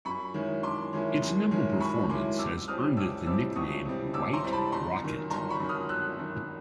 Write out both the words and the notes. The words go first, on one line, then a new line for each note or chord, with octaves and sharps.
Its nimble performance has earned it the nickname white rocket.
F#2 B5 C#6
D#3 G#3 C#4 E4
F#2 C6 D6
D#3 G#3 C#4 E4
F#2
D#3 G#3 C#4 E4
F#2 B5 C#6
D#3 G#3 C#4 E4 C6 D6
C#2 D6 E6
C3 E3 G3 C4 D#6 F6
C#2 D6 E6
C3 E3 G3 C4 D6 E6
C#2 C#6 D#6
C3 E3 G3 C4
C#2 D6 E6
A#5 C6
C3 E3 G3 C4
A5 B5
G1 A#5 C6
F#2 D#3
G1 A#5 C6
B5 C#6
F#2 D#3
D#6 F6
G1 E6 F#6
F#2 D#3